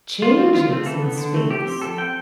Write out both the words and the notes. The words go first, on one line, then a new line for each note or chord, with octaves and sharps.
changes in space.
F3 F4
C4
F3 F4
A3 C4
E3 A4
B3
D3
A3 C4
F3 G4
C4
F3 A4
C4 G5